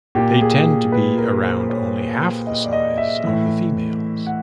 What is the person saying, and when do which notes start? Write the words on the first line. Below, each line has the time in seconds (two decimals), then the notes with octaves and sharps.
They tend to be around only half the size of the females.
0.15 A#2 G4
0.41 G#4
0.92 B4
1.18 A#4
1.44 C5
1.70 C#5
2.47 D#5
2.64 D5
2.72 D#5
2.97 E5
3.24 A2 E3
4.26 F#5